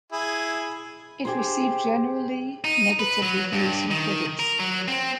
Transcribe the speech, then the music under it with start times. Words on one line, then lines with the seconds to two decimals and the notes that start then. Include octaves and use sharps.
It received generally negative reviews from critics.
0.12 E4 G#4
1.25 G4 G#4 C5
2.64 D#4
2.99 B4
3.22 F#3
3.53 G2
3.91 D#3
4.39 A#4
4.60 F#3
4.88 C4